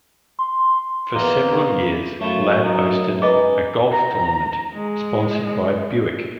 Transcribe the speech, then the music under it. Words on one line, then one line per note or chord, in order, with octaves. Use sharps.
For several years, Ladd hosted a golf tournament sponsored by Buick.
C6
E2 A#3 D#5
B5
F#2 A3 E4 F4 C#5
D#4
G#3 D#4 G#4 B4 D#5
A#5
G#3